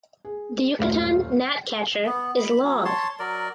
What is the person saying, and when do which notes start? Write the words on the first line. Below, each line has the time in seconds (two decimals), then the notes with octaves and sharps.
The Yucatan gnatcatcher is long.
0.25 G#4
0.79 D#1 F#2 A2 F4 F5
2.06 B3
2.37 B5
2.64 F#3
2.85 C#5 A5 C6
3.19 F#3 A#4 D5